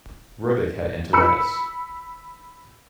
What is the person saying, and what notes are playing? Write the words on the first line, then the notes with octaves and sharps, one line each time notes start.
Robic had enteritis.
B5 E6 C#7